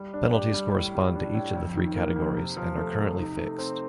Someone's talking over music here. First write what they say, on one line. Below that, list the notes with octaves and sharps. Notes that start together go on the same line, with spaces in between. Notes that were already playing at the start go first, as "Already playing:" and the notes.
Penalties correspond to each of the three categories and are currently fixed.
Already playing: G3
D4
G4
G3
A2
G3
D4
A2
F2
D#3
A#3
F2
C3
F3
A3
C3
D#4
A3
C4